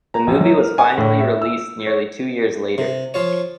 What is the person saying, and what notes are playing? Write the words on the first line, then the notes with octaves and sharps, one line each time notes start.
The movie was finally released nearly two years later.
A#5
A#1
F#3
A#4
G#5
A2
E5
E6
C#5
C3
F3 F4 C#5